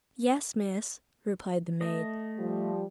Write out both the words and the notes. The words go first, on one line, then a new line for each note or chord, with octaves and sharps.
"Yes, miss," replied the maid.
A3 D#5
F3 G3